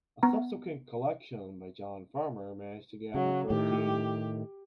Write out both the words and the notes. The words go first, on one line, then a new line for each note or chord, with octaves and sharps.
A subsequent collection by John Farmer managed to gather thirteen.
B3 A#5
C#3 F#3
A2 D#3 G4